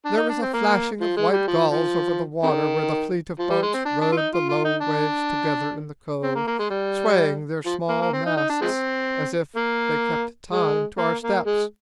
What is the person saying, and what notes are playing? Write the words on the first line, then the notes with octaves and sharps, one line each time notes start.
There was a flashing of white gulls over the water where the fleet of boats rode the low waves together in the cove, swaying their small masts as if they kept time to our steps.
D4
D#4
D4
C4
A#3
F3
G#3
G3
F3
F3
C3 D#3
F3
G3
G#3
C4
D4
D4
F4
D#4
F4
F4
D#4
D4
C4
A#3
A#3
G#3
G3
F3
A#3
A#3
C4
D#4
D#4
D4
F3 G#3 C4
A#3
G#3
A#3
A#3
G#3